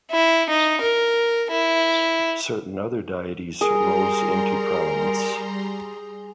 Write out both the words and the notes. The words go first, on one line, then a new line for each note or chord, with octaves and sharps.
Certain other deities rose into prominence.
E4
D#4
A#4
E4
G3 G#4 A#4 A#5 C6